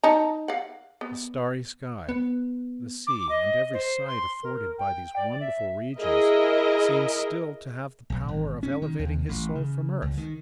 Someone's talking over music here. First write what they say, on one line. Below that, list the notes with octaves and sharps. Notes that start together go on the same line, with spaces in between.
The starry sky, the sea, and every sight afforded by these wonderful regions seem still to have the power of elevating his soul from earth.
D#4 A5 A#5
F5 F#5
B3
B3
D6
D#5
C5
C6
A#4
G5
D5
E5
E4 G#4 A#4 D#5
B1
G#1
C#4
D#3
D#2
A1
C#3
C#2
D#3